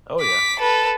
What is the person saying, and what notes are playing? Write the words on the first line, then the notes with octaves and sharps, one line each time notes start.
Oh, yeah.
D6 B6
A4 B4